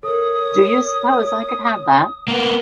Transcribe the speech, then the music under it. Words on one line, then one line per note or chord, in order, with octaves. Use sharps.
Do you suppose I could have that?
A4 A#4 C#5 D#6
A#3 B3